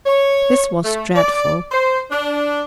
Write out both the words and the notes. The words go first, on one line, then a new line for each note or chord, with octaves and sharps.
This was dreadful.
C#5
A3
D5
C5
D4